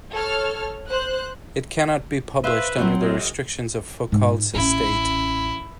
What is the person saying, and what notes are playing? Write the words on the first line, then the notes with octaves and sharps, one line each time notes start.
It cannot be published under the restrictions of Foucault's estate.
A4 C#5 F6
C5 F#6
B4 C5 E5 F5
F#3 C4 F#4
F#2 G#3
G#2
A1 C#4 E4